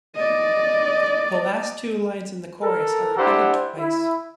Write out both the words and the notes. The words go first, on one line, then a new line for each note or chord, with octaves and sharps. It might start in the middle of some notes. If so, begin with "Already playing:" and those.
The last two lines in the chorus are repeated twice.
D5 D#5
A4 A#4
D4 E4 G4 C5 F#5
E4